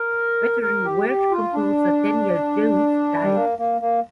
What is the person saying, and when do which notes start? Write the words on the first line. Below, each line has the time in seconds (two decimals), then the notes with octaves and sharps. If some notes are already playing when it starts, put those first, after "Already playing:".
Veteran Welsh composer Daniel Jones died.
Already playing: A#4
0.62 A#4
0.85 G4
1.09 G4
1.31 F4
1.54 D4
3.23 G3
3.35 A#3
3.58 A#3
3.81 A#3